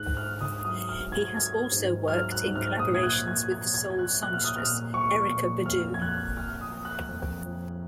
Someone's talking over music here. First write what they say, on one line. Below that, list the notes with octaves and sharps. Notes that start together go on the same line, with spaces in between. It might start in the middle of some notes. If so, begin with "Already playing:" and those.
He has also worked in collaborations with soul songstress Erykah Badu.
Already playing: G#2 F#6
F6
G#2
D#6
F#3 D#6
F6
G#2
G#6
F#3 G#6
G#2
F#3 F6
F#6
G#2
F6
A#2 D#6
G#6
F#6
F3
G#6
A#2 G#6
G#6
F3 G#6
F#6
A#2 F#6
F6
D#6
A#2 F6
F3 C#6
A#2
F2 F6
G#6
F2 F#6
F2 F6
D#6
F3
F#6
F2
F3